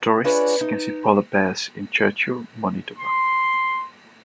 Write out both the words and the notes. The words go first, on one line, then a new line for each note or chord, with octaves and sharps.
Tourists can see polar bears in Churchill, Manitoba.
D4 F4 G#4 B4 C#5 D5
D#4
C6